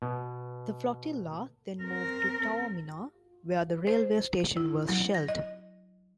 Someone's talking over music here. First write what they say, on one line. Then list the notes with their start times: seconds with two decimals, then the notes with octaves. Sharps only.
The flotilla then moved to Taormina where the railway station was shelled.
0.02 B2
1.82 C4 A#4
3.87 C5
4.57 E4
4.89 F#3
5.14 A#6
5.28 D#5